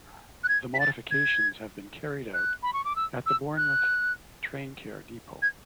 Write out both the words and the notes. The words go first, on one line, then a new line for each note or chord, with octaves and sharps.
The modifications have been carried out at the Bournemouth Traincare Depot.
F#6
G#6
B6
A6
G#6
F#6
B5
C#6
D6
E6
E6
F#6
G#6